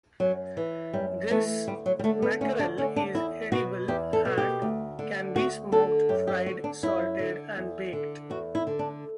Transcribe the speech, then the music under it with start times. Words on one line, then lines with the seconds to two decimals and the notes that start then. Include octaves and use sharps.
This mackerel is edible and can be smoked, fried, salted, and baked.
0.20 F#2 F#3
0.57 E3
0.94 F#2 G3
1.31 E3 A3
1.67 D2 G3
1.86 F#3
1.99 G3
2.04 D3 A3
2.22 B3
2.41 D2 C#4
2.59 D4
2.78 D3 C#4
2.96 D4
3.15 E2 E4
3.52 B2 F#4
3.88 E2 G4
4.13 A4
4.25 B2
4.38 G4
4.62 D2
4.99 D3
5.36 D2 F#4
5.72 D3 A4
6.09 F#2 G4
6.27 G4
6.46 D3 F#4
6.64 D4
6.83 F#2 E4
7.19 D3
7.57 E2
7.93 D3
8.30 E2 F#4
8.55 E4
8.67 D3
8.79 D4